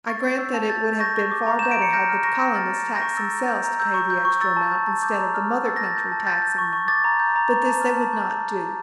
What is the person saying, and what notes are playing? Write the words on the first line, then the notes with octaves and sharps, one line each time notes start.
I grant that it would have been far better had the colonists taxed themselves to pay the extra amount, instead of the mother country taxing them; but this they would not do.
C#6 A6
G6
E6
A5
G6 A6
G6
C#6 G6 A#6
C#6
D6
A#5
G6 E7
D7
A#5 C#7
F6 G6 A#6
F6
C#6 G6 A#6
C#6
F6 A6
F6
A6
C#6
G6 A#6
C#6
E6 A6
A#5
G6
A#5
E6 G6
C#6
G6
C#6
E6 A6
A5
G6
A5
D6 G6
A#5
F6
A#5
E6 A6
A5 A#6
A6
G6
A5
G6 A6
G6
C#6
C#6
D6 A6
A#5
G6
A#5
C#6
A5
F6
A5
C#6 G6
A#5
F6
A#5